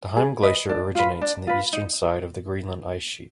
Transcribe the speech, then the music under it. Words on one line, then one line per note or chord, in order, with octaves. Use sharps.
The Heim Glacier originates in the Eastern side of the Greenland Ice Sheet.
G#4
B4 D#5
D4
F4 B4
D4
F4 B4
D#4